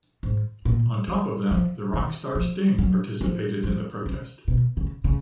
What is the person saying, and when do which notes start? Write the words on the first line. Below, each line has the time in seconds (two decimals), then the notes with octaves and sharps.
On top of that, the rock star Sting participated in the protest.
0.23 G#2
0.65 A#2
1.08 F3
1.51 F3
1.94 D#3
2.35 F3
2.79 F#3
3.21 F3
3.64 F3
4.06 C#3
4.48 B2
4.77 C#3
5.04 C#3